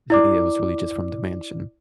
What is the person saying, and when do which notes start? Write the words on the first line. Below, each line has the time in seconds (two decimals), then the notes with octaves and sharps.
i it was really just from the mansion,
0.10 E4 D5 D6